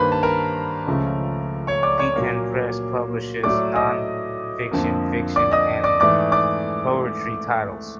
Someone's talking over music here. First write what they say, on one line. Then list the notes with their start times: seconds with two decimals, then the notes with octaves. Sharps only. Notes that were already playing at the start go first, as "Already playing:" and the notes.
Beacon Press publishes non-fiction, fiction, and poetry titles.
Already playing: G2 D#3 G3 A#3 B4 C5 B5
0.12 A5
0.23 A#4 A#5
0.87 C#2 C#3 F3 A3
1.67 C#5 C#6
1.83 D5 D6
1.99 C#5 C#6
2.16 A#2 F#3 A#3
3.43 A2 F#3 A3 D5 D6
3.76 D#5 D#6
4.71 F2 D3 F3 A#3
5.36 D5 D6
5.51 D#5 D#6
5.84 D5 D6
6.00 G#2 E3 A3 D5 D6
6.32 D5 D6